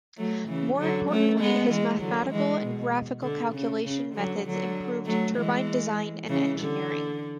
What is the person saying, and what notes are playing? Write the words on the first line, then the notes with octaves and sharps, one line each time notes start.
More importantly, his mathematical and graphical calculation methods improved turbine design and engineering.
F#3 A3
C#3 E3
D3 F#3
A3 C#4
G#3 B3
E3 G#3
D3 F#3
E3 G#3
B2
D3
C#3
C#3
D3 F#3
D3 F#3
F#3 A3
E3 G#3
C#3 E3
D3